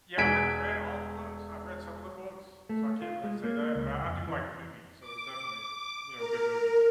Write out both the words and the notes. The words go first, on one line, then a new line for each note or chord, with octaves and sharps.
Yeah, I haven't read all the books. I've read some of the books, so I can't really say that, but I I do like the movies, so it's definitely, you know, good movies.
E1 G#5 G#6 B6 D7
A3
F4
G#3
A#3
C#2
F2
E3
D6
A#4